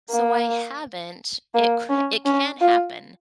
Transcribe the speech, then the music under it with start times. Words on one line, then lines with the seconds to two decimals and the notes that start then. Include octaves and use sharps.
So I haven't it c it can happen,
0.10 A#3
1.54 A#3
1.89 C#4
2.25 C#4
2.61 F4